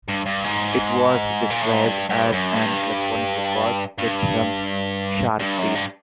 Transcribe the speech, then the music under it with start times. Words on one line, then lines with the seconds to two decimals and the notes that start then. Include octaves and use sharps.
It was described as an "electronic record with some sharp teeth".
0.08 G2
0.26 G2
0.44 G#2
1.51 A#2
1.62 A2
1.74 G#2
1.86 G2
2.09 G2
2.32 F#2
2.56 G2
3.98 G2
5.39 G2
5.58 F#2
5.75 G2